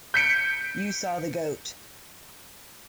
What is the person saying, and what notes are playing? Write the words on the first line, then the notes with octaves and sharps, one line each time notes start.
You saw the goat.
G6 B6 C#7 D7